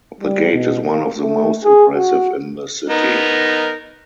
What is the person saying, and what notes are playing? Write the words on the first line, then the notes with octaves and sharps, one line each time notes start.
The gate is one of the most impressive in the city.
G3
B2
A#3
A3
G#4
F#4
B3 D#4 A#4